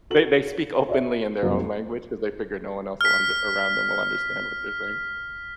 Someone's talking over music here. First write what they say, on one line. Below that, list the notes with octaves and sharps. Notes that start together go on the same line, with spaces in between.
They they speak openly in their own language 'cause they figure no one else will un around them will understand what they're saying.
F#4 A4 F#7
F#4 C#5 D5 E5
F#1 C2 C3 F#3 A#3
F6 B6